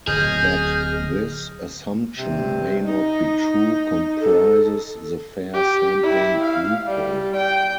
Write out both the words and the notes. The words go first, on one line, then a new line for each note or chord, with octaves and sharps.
That this assumption may not be true comprises the fair sampling loophole.
D1 G#4 D#5 F6 G6
G2 C3
D#4
A4
G4
E4
F5
G3
G5